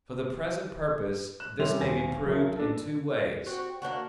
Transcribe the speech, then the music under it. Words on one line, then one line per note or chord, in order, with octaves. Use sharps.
For the present purpose this may be proved in two ways.
F#6 E7
C3 G3 C#4 E5 C6 F7
D#1 G#5 A#6
B1 A#4 E5
D4 A4
C4 F#4 G4
A#3 C4 D4 F#4